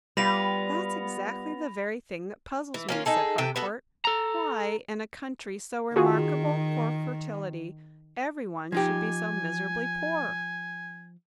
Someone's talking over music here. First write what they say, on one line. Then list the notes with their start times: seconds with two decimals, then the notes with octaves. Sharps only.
"That's exactly the very thing that puzzles me," said Harcourt, "why, in a country so remarkable for fertility, every one should be so miserably poor!"
0.17 G3 B3 F4 B5 A#6 F7
2.74 E3
2.89 A#3 C#4 F4
3.06 D#4 G#4 A4
3.38 C3 A4 G5
3.56 B3 F#4 A4
4.05 A4 A#5
5.96 D#3 F4 F#4 G#4
8.72 F3 D#4 G4 G#5